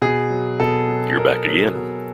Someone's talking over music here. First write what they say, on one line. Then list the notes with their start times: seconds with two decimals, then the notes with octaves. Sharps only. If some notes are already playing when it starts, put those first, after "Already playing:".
You're back again.
0.02 B2 G#4
0.30 F#3
0.60 B2 A4
0.89 F#3
1.17 B2 A#4
1.46 F#3
1.75 B2